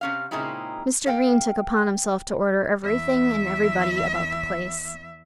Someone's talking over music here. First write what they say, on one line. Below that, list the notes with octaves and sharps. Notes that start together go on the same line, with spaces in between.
Mr. Green took upon himself to order everything and everybody about the place.
C3 C#4 F5
A#2 C#3 G#3 C4 D#4 E4
A4 F5 G5
E2 E5